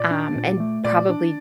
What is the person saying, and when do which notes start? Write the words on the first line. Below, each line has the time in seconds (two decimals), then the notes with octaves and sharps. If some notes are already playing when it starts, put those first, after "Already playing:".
um, and probably
Already playing: A#2 D5
0.11 D4
0.36 A#2
0.60 A3
0.84 A#2 D5
1.09 D4